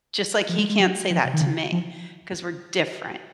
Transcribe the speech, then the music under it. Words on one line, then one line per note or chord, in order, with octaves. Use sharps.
Just like he can't say that to me 'cause we're different.
F3
G#3
G#3
F#3
F3
C3
D#3
C#3
F3